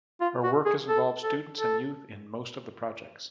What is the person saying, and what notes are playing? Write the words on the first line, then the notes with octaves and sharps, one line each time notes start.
Her work has involved students and youth in most of the projects.
F4
F#4
G#4
A4
A4
A4